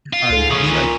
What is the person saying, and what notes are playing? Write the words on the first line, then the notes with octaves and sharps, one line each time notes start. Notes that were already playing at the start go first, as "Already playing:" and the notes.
um, have you like
F4
C#2 G#2 A4
E3 C#4 C#6 D#6
A#2